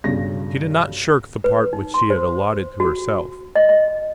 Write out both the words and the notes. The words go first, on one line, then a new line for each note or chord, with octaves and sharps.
She did not shirk the part which she had allotted to herself.
B1 G2 C#3 A#6
B4
D#4
C6
C5
F#4
D#5
D#5